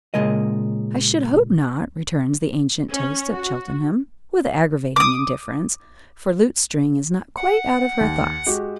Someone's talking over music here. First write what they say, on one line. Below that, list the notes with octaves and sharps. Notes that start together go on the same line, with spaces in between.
"I should hope not," returns the ancient toast of Cheltenham, with aggravating indifference, for Lutestring is not quite out of her thoughts.
A#2 C#3 G#3 A#4 D#5
C#4
F#4
D6 D#6
F#5
D#2
G#3 F#4 G4